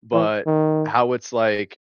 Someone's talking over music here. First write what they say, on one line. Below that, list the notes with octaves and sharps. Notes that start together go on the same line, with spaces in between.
but, how it's like
E3
D#3